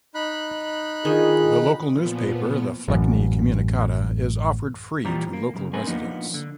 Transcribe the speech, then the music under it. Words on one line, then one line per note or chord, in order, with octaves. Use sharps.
The local newspaper, "The Fleckney Communicata", is offered free to local residents.
D#4 B5 F#6
D#3 D4 F4 G#4 G#5
A#2 F3 B3
A1 F#2
A#2 E3 F3 G3 A#5
A#3
F#2 A2 C#3
F#2 C4 A#4 B4 G#5
F3 A#3 B3 D4 D#4
D3